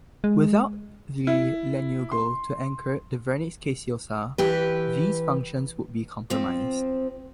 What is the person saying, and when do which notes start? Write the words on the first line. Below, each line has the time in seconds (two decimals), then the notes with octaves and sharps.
Without the lanugo to anchor the vernix caseosa, these functions would be compromised.
0.24 G#3
1.27 E4
2.12 C6
4.38 E3 G4 B4
6.30 F3 C4